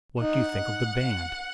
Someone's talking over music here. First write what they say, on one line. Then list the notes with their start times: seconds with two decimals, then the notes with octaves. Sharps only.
"What do you think of the band?"
0.21 D#4 F#5